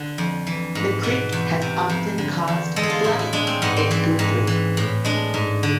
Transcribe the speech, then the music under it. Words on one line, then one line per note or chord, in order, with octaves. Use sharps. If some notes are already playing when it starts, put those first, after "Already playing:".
The creek has often caused flooding in Guthrie.
Already playing: D3
F2
E3
G#2
B2 B4
E2
C3
F2
D3
E2
G#3 A4
G#4
F4
A2 E4
E4
G#3 D4
C4
G#2 B3
C4
E3 C4
G#2
E3
A2
G#3 D4
G#2
D3